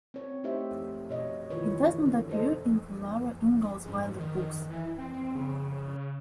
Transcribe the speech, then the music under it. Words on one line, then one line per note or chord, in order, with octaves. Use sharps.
It does not appear in the Laura Ingalls Wilder books.
C4 C#5
A3 D#4 G4 C5 E5
B2 C#5 D#5
B2 D#3 E3 F4 B4 C#5
D3
A4 C5 D#5
G#2
D#3
E3
C4
C#3